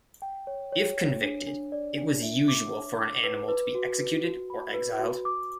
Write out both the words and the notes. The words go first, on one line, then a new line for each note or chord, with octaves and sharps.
If convicted, it was usual for an animal to be executed, or exiled.
G5
C#5
C#5
C#5
D4
D4
D5
D4
E5
D6
C#5
D6
B4
B4
F#4
B4
F#4
B5
B4
F#4
D6